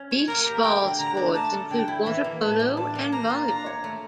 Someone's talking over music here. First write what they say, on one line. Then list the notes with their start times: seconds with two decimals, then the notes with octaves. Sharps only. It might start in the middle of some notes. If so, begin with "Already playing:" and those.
Beach ball sports include water polo and volleyball.
Already playing: C#4
0.11 C#5
0.28 A#3 A#4
0.46 G4
0.63 A3 G5
0.82 D3
0.99 D3 A#5
1.17 D4
1.35 A3 A5
1.53 A4
1.70 D3 G5
1.88 E4
2.06 E3 E5
2.24 A#3
2.42 A2 A5
2.60 G3
2.77 D4 A5
2.95 A#3
3.12 A#3 A#5
3.30 F4
3.48 D4 A#5
3.66 C#5
3.84 A3